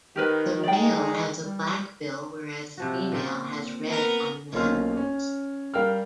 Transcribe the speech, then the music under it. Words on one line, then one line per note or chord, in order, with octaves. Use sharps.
The male has a black bill, whereas the female has red on the mandibles.
D#3 G4 A#4 B4
G#3 D#4 D5 G5
G3
C3 F3 F#4
A#2 C4 F4
B3 A#4
B1 A#3 C#4 F4 C5 F6
C#4
G3 A#4 F5 G5 F6